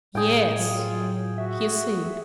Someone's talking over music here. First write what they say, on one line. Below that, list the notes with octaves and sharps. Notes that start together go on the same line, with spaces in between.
"Yes," he said.
A2 D4 G#4 G5
F#3 F4
F#4 E5